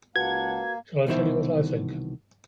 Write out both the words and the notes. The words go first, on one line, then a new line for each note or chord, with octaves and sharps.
Shall I tell you what I think?
C#2 A#3 F#4 B4 F#5 A5 G#6
C2 B2 D#3 E3 C5 E5